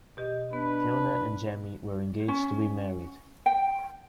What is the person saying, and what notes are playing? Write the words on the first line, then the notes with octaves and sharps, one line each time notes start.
Fiona and Jamie were engaged to be married.
B2 G4 D#5
B3 D4 B4
C#4
G5